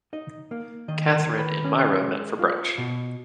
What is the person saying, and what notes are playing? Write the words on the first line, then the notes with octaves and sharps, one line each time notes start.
Catherine and Mira met for brunch.
D#4 D#5
A#3
D#3 D#5
B4
A#4
D#3
B4
C#4
G#3
F4
B2